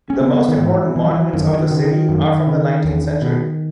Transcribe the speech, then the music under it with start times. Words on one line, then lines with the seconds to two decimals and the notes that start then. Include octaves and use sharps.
The most important monuments of the city are from the nineteenth century.
0.10 C#4
0.20 C#3 B3
0.48 D#3
0.58 G#2 E3
0.96 E3
1.04 F#3
1.11 E3
1.33 F#2 D#3
1.53 E3
1.58 D#3
1.71 C#3
1.84 D#3
2.09 F#2
2.47 C#3
2.84 E2
3.22 B2